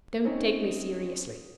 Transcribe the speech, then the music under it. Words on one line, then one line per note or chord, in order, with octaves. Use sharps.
Don't take me seriously.
C4 C#4 D#4